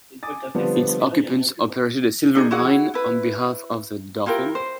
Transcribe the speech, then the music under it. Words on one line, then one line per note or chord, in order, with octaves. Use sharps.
Its occupants operated a silver mine on behalf of the Dauphin.
G#5 D6 D#6 A6
D3 F3 G3 B3 C4 D4
D4 D#4 G#4
E4 F#4 G#4 F#5
E4 B4
E4 F4 G4 A#4
C5